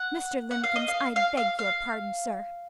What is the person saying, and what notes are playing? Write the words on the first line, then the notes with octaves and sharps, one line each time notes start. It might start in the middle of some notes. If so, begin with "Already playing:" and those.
'Mr. Limbkins, I beg your pardon, sir!
Already playing: F#5
F#5
F5
D#5
F5
F5
F5
F5